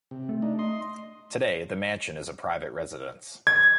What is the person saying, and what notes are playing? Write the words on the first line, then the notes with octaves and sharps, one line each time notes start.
Today, the mansion is a private residence.
C3
A3
D4 D#4
D#5 C6
G#6